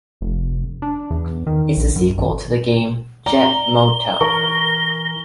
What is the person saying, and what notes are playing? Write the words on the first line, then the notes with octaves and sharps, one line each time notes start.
It is the sequel to the game "Jet Moto".
F1
D4
E2
D#3
A#1
F#2
G#1
D5 A#5 G7
E3 A#4 C#6 A#6